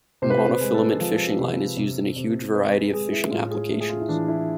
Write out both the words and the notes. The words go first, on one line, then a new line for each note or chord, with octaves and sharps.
Monofilament fishing line is used in a huge variety of fishing applications.
C3 C5
B4
C5
B4
G#3
A4
F3
C3
C3
C3
G#3 B4
G#3 G#4
E4
A2 F4
G#4
A3 G#4
G#4
F4
E4
E3 D4
E4